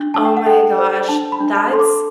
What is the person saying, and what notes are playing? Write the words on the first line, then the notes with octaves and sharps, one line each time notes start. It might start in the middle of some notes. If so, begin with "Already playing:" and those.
Oh my gosh, that's
Already playing: D4
D4 A5
G5
F#5
A4 G5
C5
D4 A5
B5
D4
A5
A4 C6
D6